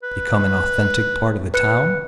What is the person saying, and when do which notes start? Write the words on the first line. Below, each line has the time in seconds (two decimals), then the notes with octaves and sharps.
Become an authentic part of the town?
0.03 B4
1.54 B4 F#6 C#7